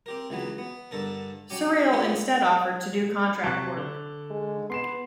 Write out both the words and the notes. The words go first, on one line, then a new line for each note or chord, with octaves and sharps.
Surreal instead offered to do contract work.
C4 G4 A#4
C#2 E3 F#3 B3
B3
G2 D3 A4 A#4
F#3 C#4 G4
G#3 B3 C#4 F4 G4 A#4
C3 F#3 A5 C#6 F#6
D3
G#3
B3 C6 C7 E7